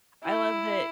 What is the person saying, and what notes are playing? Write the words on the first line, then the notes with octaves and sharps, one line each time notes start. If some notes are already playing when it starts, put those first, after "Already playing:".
I love that e
E4